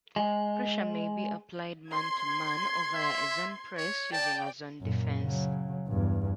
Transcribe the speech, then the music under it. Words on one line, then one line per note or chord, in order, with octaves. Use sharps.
Pressure may be applied man-to-man, or via a zone press using a zone defense.
G#3
C6 G#6
E5
C#5
D5 G5 A5
F#2 A#2
C#3 F#3
E2 G2